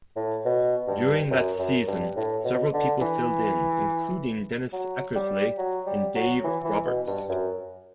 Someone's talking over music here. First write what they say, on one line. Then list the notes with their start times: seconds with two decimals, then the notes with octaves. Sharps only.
During that season, several people filled in including Dennis Eckersley and Dave Roberts.
0.16 A2
0.45 B2
0.88 G2
1.31 F#2
1.59 F#2
1.88 G2
2.16 A2
2.44 B2
2.73 D3
3.01 E3
4.73 F#3
5.15 G3
5.58 F#3
5.87 G3
6.15 F#3
6.44 E3
6.64 E3
6.86 B2
7.07 G2
7.29 F#2